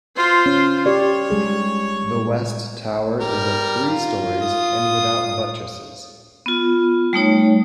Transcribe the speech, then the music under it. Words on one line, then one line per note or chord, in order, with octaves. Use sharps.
The west tower is of three storeys and without buttresses.
F4 C5
C#4
G4 C#5 D5
G3 G#3 G#4
G3 A#4
F4
D#6
B3 F4
G3 A3 D#4 C#5